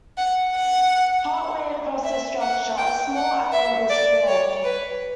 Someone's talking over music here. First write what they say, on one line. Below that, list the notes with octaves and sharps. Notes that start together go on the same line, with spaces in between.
Part way across the structure, a small island was formed.
F#5
F#5
E5
F#5
G5
F#5
E5
D5
C#5
B4